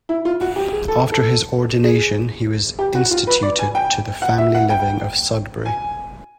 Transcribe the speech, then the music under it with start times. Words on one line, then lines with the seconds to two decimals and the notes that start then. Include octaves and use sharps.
After his ordination he was instituted to the family living of Sudbury.
0.09 E4
0.25 F4
0.41 F#4
0.56 G4
0.73 G#4
0.88 A4
1.12 A4
1.84 G#4
2.79 G4
2.95 F#4
3.11 F4
3.27 B4
3.43 D5
3.59 G#5
3.75 G5
4.22 F#5
4.38 E5
4.55 F#5
4.70 G5
5.66 G#5